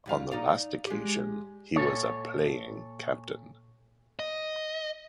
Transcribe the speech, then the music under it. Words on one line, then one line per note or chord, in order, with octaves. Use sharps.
On the last occasion, he was a playing captain.
D#2 G3 F5
D#4 D5 F5
G#3 G4
A#2 A4 C#5
D#5